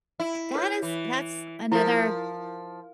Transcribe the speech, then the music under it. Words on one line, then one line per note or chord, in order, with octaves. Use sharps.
That is that's another,
E4
B4 C#5
E3
F3 E4 A#4